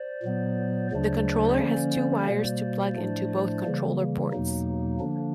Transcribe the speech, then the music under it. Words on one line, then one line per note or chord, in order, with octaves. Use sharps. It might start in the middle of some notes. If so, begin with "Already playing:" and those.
The controller has two wires to plug into both controller ports.
Already playing: C5 D5
A#2 F#3 B3
D2 C#3 F#3 A3 D4 C5 D5
D3 F3 A#3 C#4
B2 G3 A#3
A2 F3 A3 D4
C#3 E3 G3 A#3
E2 B2 F#3 A#3 D#4
D3 F3 A#3 D4